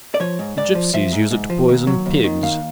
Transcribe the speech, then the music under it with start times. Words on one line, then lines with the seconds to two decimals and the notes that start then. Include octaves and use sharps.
"The gipsies use it to poison pigs."
0.14 D5
0.20 F3 C#5
0.39 G#2
0.57 G#2 D5
0.75 F3
0.94 F3 E5
1.12 G#2
1.31 G#2
1.50 F3
1.69 D#2
1.87 F#3
2.06 D#2
2.24 D#3
2.43 D#2 F5